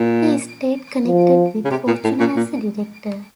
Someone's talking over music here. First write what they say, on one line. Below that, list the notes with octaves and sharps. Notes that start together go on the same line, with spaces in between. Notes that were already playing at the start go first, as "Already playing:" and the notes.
He stayed connected with Fortuna as a director.
Already playing: A#2
F3
C#3
C3
A#2
A2
A#2
A#2